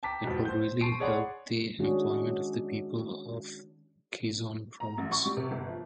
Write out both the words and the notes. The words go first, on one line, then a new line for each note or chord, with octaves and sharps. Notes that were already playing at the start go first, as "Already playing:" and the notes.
It will really help the employment of the people of Quezon Province.
G5 A5 A#5 D6 B6
F2 G#2 B2
C5 G6
A5 C6 C#6 C7 D7 D#7
G#4 C#5 D5 F#5 B5 C6
D#3 G#3 C#4 D4 F#4 G#4
A#5
A1
C#6
G3
C3
G1
F3